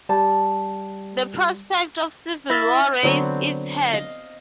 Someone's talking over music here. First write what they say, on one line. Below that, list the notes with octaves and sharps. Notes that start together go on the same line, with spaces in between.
The prospect of civil war raised its head.
G3 A5
E4 E5 A6 A#6
D3 F#3 B3 C4
D#5 F5